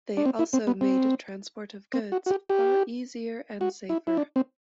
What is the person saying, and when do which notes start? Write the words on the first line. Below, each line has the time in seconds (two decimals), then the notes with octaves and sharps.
They also made transport of goods far easier and safer.
0.17 D4
0.25 C4
0.39 E4
0.53 C4
0.67 B3
0.81 C4
1.93 C4
2.12 F#4
2.26 F#4
2.31 G4
2.50 G4
3.61 F#4
3.89 E4
4.07 E4
4.17 D4
4.36 C4